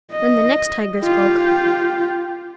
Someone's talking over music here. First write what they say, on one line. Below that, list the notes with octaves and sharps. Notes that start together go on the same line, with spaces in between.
Then the next tiger spoke.
D#5
F4 G4